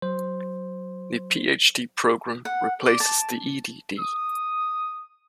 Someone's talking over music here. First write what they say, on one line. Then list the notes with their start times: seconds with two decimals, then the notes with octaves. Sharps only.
The Ph.D. program replaces the Ed.D.
0.02 F#3 C5
2.45 F#5
2.86 D5
3.00 A5
3.99 D#6